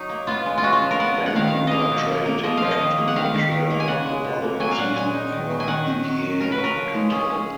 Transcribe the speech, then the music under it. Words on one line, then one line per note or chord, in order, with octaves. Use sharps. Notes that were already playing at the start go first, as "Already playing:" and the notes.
Vancouver traded him back to Montreal the following season for Didier Pitre.
Already playing: F#3 D#4
A#3
B3 F4
G#3
F4
C#4 F#4
F4
F3
A#4
B3 F#5
F3
F#5
D#3 F5
F5
D#3
A#3 D#5 F5
B2
A#3
A#3
F3 D#5
F3 F5
D#5
D#3
A#3
F#5
D#3 F5
D#3
D#3
A#3
G#5
C#3 F#5
G#3
B2
A#3
F#3 G#5
F5
A#2 F#5
G#3 G#5
D#4
D#3
F#3
G#5
D#3 F#5
D#3
F#3
F#3
C#3 A#4
B4
F#3
A#4
F3
G#3
C#4 G#4
C#4